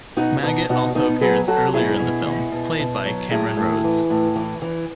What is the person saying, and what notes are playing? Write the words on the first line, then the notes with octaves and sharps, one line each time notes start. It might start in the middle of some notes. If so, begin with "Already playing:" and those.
Maggot also appears earlier in the film, played by Cameron Rhodes.
B2 D#4 F#4
B2 D#4 F#4
B2 D#4 F#4
B2 B3 D#4
F#3 G#4 B4
F#3 F#4 A4
B2 E4 G#4
B2
B2
B2
B2
F#3
A2 E4 G#4
A2
E3
A2
E3
E3